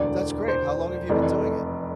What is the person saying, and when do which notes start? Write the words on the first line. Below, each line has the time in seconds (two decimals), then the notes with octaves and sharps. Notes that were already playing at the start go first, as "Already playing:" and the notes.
That's great, how long have you been doing it?
Already playing: E1 D2 D3 D5
0.48 C5
1.09 F1 F2 E3 A3 D5